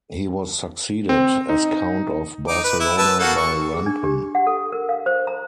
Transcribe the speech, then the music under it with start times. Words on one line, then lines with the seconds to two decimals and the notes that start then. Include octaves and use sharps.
He was succeeded as Count of Barcelona by Rampon.
1.09 C4
1.49 D#4
2.48 D#4 D6
2.64 B4
2.80 E4
2.98 B4 A5 E6
3.19 A#3 F#4 A4
3.37 C#6
3.74 G#4
3.86 D4
4.04 G4
4.35 F#5
4.47 A4
4.72 A#4
4.89 F5
5.06 C5
5.27 A#5